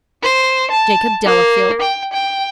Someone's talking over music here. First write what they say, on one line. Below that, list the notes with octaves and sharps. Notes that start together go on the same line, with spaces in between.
Jacob Delafield?
C5
A5
A#3
G5
G5